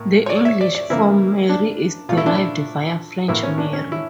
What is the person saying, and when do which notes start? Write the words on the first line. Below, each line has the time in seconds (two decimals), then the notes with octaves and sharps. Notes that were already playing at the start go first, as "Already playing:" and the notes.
The English form "Mary" is derived via French "Marie".
Already playing: A2 A#3
0.26 C#5
0.30 D5
0.45 E5
0.61 D5
0.75 D5
0.90 C#3 E3 A#3 E4
1.49 D4
2.09 A#2 F4
2.13 A3 E4
2.26 D4
2.35 E4
3.28 A2 E3 A#3 E4
3.43 C#4
3.58 D4
3.73 C#4
3.92 E4